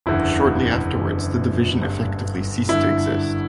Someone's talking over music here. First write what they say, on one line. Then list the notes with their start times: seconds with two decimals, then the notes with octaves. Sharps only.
Shortly afterwards the division effectively ceased to exist.
0.06 F#1 E2 D3 E4
0.94 F#1 E2 D3
1.82 G1 G2 D3
2.69 G1 G2 D3 E4